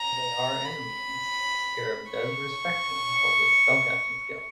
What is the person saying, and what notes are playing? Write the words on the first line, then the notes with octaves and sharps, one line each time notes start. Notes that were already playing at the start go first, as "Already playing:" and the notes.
Though they are enemies, Scarab does respect him for his spellcasting skills.
Already playing: A#5
B5
C#6